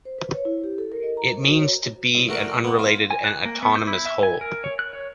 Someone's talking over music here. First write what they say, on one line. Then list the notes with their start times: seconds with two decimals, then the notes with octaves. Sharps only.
It means to be an unrelated and autonomous whole.
0.05 C5
0.18 B4
0.33 C#5
0.45 E4
0.64 G4
0.78 A4
0.92 A#4
1.03 D#5
1.17 A#5
1.35 C5
1.47 F#4
1.58 C#5
2.15 C2
2.29 A3 F#4 A#4 D5
2.64 B3 F#5
2.79 F4
3.11 G#5
3.24 F#6
3.45 A#3
3.63 B3
3.76 G6
3.87 E4
4.06 E5
4.23 G#5
4.41 A#4
4.64 C#5
4.79 F#6
4.93 C#5